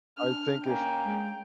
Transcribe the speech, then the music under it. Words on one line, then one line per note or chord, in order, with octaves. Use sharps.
I think i
D4 F6
A#3 C#4 G5
G#3